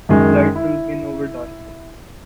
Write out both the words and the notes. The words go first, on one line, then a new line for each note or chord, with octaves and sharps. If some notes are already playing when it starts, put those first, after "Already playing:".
Light will win over darkness.
F#2 D#3 G#3
E4